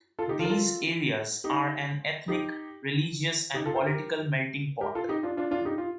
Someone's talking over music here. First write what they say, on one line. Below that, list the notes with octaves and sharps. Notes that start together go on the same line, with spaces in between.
These areas are an ethnic, religious and political melting pot.
F4 A4
D#4 G4
F4 A4
A#4
F4 A4
D#4 G4
D#4 G4
D#4 G4
F4 A4
A4 C5
G4 A#4
G4 A#4
F4 A4
D#4 G4
D4 F4
D4 F4
D4 F4
D#4 G4
F4